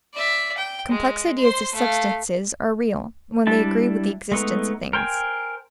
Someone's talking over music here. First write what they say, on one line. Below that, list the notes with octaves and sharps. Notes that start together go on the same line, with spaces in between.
Complex Ideas of Substances are real, when they agree with the existence of Things.
D5 E5
G5
G#3
C5 C6
A3 F5
G3 D4 E4 A5
G#3 A3 B3 D#4
A#4 C5 G5 G#5